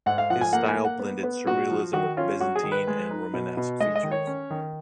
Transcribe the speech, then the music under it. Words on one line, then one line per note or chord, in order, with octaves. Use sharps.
His style blended surrealism with Byzantine and Romanesque features.
G#2 F#5
F5
F3 F#5
G#5
A#3 F#5
G#5
A#3
F#5
B3
B3
A#2 F#4
F3
D#3 F#4
C#4 F4
F#3 F#4
G#4
D#3
B4
G#3
D#4
B2
B2
G#3 D#5
D#5
D#3
C#5
C#4
D#3